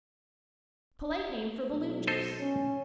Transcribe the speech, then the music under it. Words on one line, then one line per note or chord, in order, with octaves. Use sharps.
A polite name for balloon juice.
B1
A4 C5 D#5
C#4